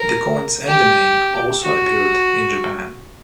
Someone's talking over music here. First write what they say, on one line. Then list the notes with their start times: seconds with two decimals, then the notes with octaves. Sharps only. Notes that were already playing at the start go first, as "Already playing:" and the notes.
The coins and the name also appeared in Japan.
Already playing: A#4
0.67 G4
1.63 F#4